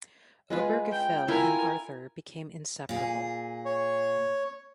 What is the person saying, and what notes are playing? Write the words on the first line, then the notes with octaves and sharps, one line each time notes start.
Obergefell and Arthur became inseparable.
G#3 F4 B4
G5
E4 F4 A#4 G5 G#5
A#2 G#4
C#5